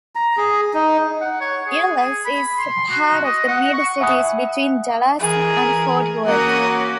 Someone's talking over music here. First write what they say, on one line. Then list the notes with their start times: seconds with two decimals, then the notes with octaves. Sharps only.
Euless is part of the Mid-Cities between Dallas and Fort Worth.
0.15 A#5
0.37 G#4
0.74 D#4
1.21 F#5
1.41 C#5
1.67 G#4
1.97 G#4
2.25 B5
2.58 C6
2.91 F#4
3.24 D#5
3.48 F#5
3.73 C#6
4.01 E5 F#5 G#5 B5 D#6 F#6
5.19 E3 G#4 A#4
6.26 A#3 C#4 F#4 A#4 F#5 D#6